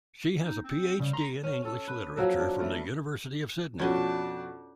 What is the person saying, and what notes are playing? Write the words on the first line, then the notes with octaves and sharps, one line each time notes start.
She has a PhD in English Literature from the University of Sydney.
D#4
C4
C#3 G3
A#5 C6
C#4
C#4 A4
B4
F3 F#3 A#3 A4
D4
E3 G3 A3 A#4
F2 B2 C#4 D4 F#4 D#5 A5